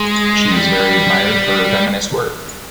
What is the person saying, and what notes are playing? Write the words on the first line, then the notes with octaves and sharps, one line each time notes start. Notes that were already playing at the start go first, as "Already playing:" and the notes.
She is very admired for her feminist work.
Already playing: G#3
G3